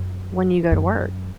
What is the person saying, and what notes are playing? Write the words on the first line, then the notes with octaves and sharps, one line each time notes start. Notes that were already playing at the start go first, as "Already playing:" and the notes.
when you go to work,
Already playing: F#2
F#2